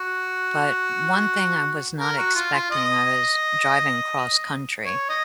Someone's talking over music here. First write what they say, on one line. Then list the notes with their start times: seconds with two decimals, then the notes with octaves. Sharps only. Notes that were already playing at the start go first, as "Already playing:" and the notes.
but one thing I was not expecting, I was driving cross-country
Already playing: F#4
1.99 A#4
2.18 F#4
2.35 F4
2.54 F4
2.71 D#5
4.85 C#5
5.09 D#5